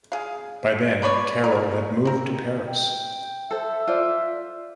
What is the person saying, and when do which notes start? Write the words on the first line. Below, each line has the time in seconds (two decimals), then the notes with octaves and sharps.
By then, Carroll had moved to Paris.
0.12 G#4 F5
1.02 D3 B4 C#5 D5
1.44 A#4
2.05 C4 A#4
2.68 G5
3.51 A4 C5 E5
3.87 F4 C5 D5